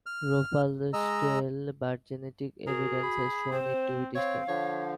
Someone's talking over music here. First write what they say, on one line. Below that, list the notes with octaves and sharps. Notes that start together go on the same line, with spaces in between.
"Rhopalostylae", but genetic evidence has shown it to be distinct.
F6
G#3 D#5 A#5 E6
F#4 G#4 A#4
B5
C4 C5
C4 C#5 F5
D3 F3 C#5